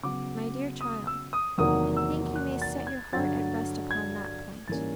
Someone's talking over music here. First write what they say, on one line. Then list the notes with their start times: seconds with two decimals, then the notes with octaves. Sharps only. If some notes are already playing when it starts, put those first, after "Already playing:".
My dear child, I think you may set your heart at rest upon that point.
0.03 C#3 F#3 B3 D6
0.81 D#6
1.07 E6
1.33 D#6
1.58 E2 C3 D#3 F#3 A#3 D#6
1.97 E6
2.36 F#6
2.62 A6
2.87 G#6
3.13 G2 D3 F#3 A6
3.91 G#6
4.68 G#2 E3 G3 A#3 C#4 A6